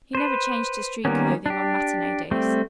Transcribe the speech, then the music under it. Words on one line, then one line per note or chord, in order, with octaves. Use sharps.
He never changed to street clothing on matinee days.
B4 C5
D#3 G3 A#3 B3 C#4
D4 G4
G3 A3 C4